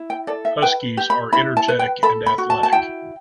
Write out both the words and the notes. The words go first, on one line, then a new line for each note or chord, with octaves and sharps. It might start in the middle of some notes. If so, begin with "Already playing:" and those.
Huskies are energetic and athletic.
Already playing: E4
G5
A4 D5
E5
B4 G5
G4
B5
E4 B5
A5
B4
G5
A4 B5
B5
F#4
A5
A5
E4 G5